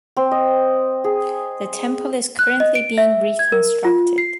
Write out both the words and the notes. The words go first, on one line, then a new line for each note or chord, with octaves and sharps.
The temple is currently being reconstructed.
C4
D#5
G#4
F#6
D#5
D7
E5
G#6
A#4
F4
C7